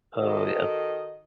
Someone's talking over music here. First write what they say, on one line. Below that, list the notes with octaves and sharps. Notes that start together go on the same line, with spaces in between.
Oh, yeah.
D#3 F#4 A4 D#5